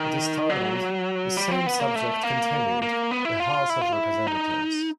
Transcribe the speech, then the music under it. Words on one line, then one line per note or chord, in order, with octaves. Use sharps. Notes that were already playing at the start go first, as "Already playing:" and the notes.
It is titled, The Same Subject Continued: The House of Representatives.
Already playing: D#3
F#3
G3
C4
B3
A#3
A3
A#3
A#3
B3
E4
F4
E4
F4
E4
D#4